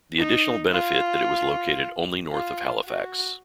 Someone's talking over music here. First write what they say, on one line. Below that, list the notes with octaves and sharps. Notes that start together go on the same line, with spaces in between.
The additional benefit that it was located only north of Halifax.
D#4
F4
F4
F#4